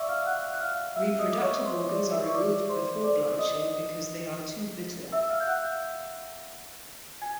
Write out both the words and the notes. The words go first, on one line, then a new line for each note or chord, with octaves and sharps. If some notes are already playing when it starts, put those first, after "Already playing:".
Reproductive organs are removed before blanching because they are too bitter.
Already playing: D5 E5 C#6 D6 E6
F5 F6
F#5 F#6
F#6
F5 F6
E5 E6
D#5 D#6
D6
C#5 C#6
C5 C6
D5 D6
E5 E6
C#6
D5 D6
C5 C6
D5 D6
D#5 D#6
E5 E6
E6
F5 F6
G6
F#5 F#6
G#5 G#6